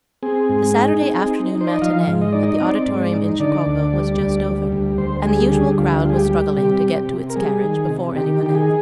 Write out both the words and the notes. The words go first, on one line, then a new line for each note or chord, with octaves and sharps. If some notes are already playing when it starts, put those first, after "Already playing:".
THE Saturday afternoon matinee at the Auditorium in Chicago was just over and the usual crowd was struggling to get to its carriage before any one else.
C4 G#4
G#2
D#4
C4
D#4
D#4
C5
D5
D#5
F3 F5
G#2
D#5
D#4 D5
D#5
C4 D5
G#2
D#4
D3 D5
D2
G3
D2
G3
D2
D2 C5
G3 G#4
D3 G#4
D2 F4
G4
F4
G3 G#4
G4
G3
C3 G4
C3
C3
A#4
G3 G#4
D#3
C3
D#3 G4
D#3 G4
G#4